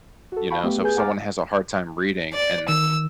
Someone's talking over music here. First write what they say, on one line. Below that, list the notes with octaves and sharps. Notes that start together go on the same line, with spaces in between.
you know, so, if someone has a hard time reading and
F#4 A4
F5 G5 A5 B5 C#6
A3 B3 G4
G#4 B4 G#5 G6
F#5 G#5 A#5 D6 F6 A6
D5
D#3 E6